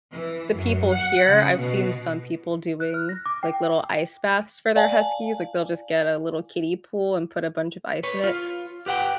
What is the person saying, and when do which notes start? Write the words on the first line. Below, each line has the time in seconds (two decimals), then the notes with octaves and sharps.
the people here I've seen some people doing like little ice baths for their huskies, like, they'll just get a little kiddie pool and put a bunch of ice in it,
0.11 E3
0.55 F#2
0.91 F#5
1.29 C#3
1.58 B2
2.80 F#6
2.94 F6
3.09 A#6
3.26 D6
3.43 G5
4.76 D5 F5 G#5 A5
8.03 B4 C#5
8.24 F4
8.86 G4 B4 F#5 G5